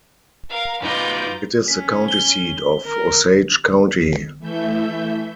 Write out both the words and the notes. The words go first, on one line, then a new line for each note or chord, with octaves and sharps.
It is the county seat of Osage County.
A#4 F5
F#2 D#4 F4 B4 A#5 D6 G6
C#4 B6
G7
A#4
E3 A3 E5 G6